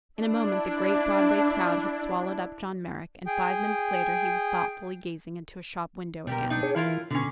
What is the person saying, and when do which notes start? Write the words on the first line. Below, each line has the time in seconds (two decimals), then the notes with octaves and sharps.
In a moment the great Broadway crowd had swallowed up John Merrick, and five minutes later he was thoughtfully gazing into a shop window again.
0.19 D4 E4
3.27 G#4 G5
6.27 B2 G3 G4 A#4
6.50 D4 D#4
6.63 G#4 C#5
6.76 E3 E4 F4 A#4
7.11 B2 D3 C#4